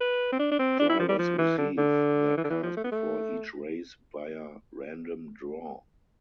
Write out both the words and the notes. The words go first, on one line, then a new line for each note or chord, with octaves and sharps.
Drivers receive their cars before each race via random draw.
B4
C4
D4
D4
C4
D4
E4
F3
G3
F3
E3
D3
D3
E3
D3
E3
F3
A3
B3
A3